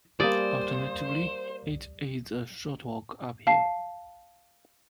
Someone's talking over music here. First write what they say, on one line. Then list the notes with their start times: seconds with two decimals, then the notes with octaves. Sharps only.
Alternatively, it is a short walk uphill.
0.20 G3 A#3 C5 D5 G#5 D#6
3.47 F5 A5 C7